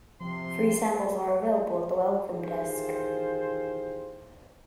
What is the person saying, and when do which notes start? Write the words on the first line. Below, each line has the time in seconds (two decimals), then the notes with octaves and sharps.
Free samples are available at the Welcome Desk.
0.21 C3 F3 C6
2.30 D#3 E3 F4 G4 G#4 C5